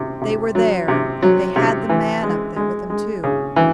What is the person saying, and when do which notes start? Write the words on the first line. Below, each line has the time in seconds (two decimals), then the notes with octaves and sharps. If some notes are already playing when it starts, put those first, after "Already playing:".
"They were there, and they had the man up there with them too."
Already playing: C3
0.21 C3
0.55 F#3
0.88 C3
1.23 F#3
1.56 C3
1.89 E3
2.23 G#3
2.56 G#3
2.90 G#3
3.24 C#3
3.56 E3